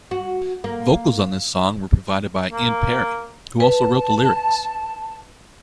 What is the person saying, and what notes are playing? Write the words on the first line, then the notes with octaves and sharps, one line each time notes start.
Vocals on this song were provided by Ian Parry, who also wrote the lyrics.
F#4
A#3
A#3
B4 A5